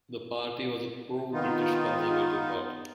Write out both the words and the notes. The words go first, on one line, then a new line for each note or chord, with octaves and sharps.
The party was a pro-British conservative party.
D#3 B3 D#4 F4